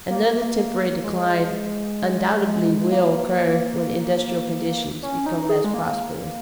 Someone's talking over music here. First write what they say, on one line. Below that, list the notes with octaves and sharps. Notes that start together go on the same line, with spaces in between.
Another temporary decline undoubtedly will occur when industrial conditions become less prosperous.
A#3
G#3
A#3
C#4
D#4
G#4
G#3
A#3